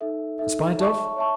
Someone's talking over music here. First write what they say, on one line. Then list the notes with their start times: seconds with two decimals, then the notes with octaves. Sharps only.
In spite of?
0.01 D#4 A4 E5
0.39 D#4 A4 E5
0.78 C#5 E5 A5 C#6
1.16 C#5 E5 A5 C#6